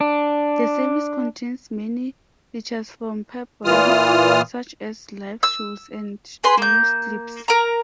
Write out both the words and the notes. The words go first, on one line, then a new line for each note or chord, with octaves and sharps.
The service contains many features from Pipeline, such as live shows and news clips.
D4
A#2 E3 F4 D#6 F6
E6
G#4 B4 C6
A#3 G6
A#4 A#5